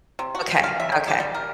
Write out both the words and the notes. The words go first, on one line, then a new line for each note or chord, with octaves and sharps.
Okay, okay.
C3
F#4
G5
F5
E5
C#3
G4
G3
A#4